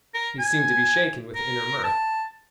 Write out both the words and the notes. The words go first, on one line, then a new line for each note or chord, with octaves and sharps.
He seemed to be shaken with inner mirth.
A#4
G#5
A#4
A5